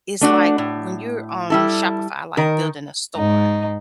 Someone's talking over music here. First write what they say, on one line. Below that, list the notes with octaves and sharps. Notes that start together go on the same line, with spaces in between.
is like when you're on Shopify, like building a store,
A3 D4 F#4
A2
G3 E4 A4
D#3 A#4
G#2 D#4